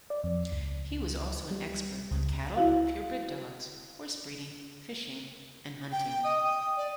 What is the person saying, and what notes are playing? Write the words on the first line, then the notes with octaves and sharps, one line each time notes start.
He was also an expert on cattle, purebred dogs, horse breeding, fishing and hunting.
D5
F2
C#2
G3
C#2
E4 F#4 F5
G5
D#5 D#6
G5
D5